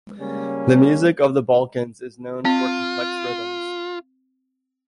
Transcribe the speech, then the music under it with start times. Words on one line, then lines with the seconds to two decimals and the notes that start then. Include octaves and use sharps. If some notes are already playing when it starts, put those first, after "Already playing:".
The music of the Balkans is known for complex rhythms.
0.19 C#3 G3 A#3 C#4
2.45 C4 F4